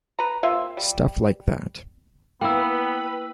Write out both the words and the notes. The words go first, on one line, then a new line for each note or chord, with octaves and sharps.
Stuff like that.
B4 A#5
C3 A#3 F4 E5
G3
A#3 B3 E4 B4 G5 B5 E6